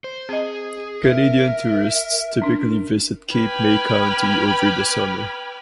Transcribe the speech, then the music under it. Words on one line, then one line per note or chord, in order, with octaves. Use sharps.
Canadian tourists typically visit Cape May County over the summer.
C5
C4 G#4 D#5
A#4 E5
C#4 D4
B4 G5 B5 D6 F6 G#6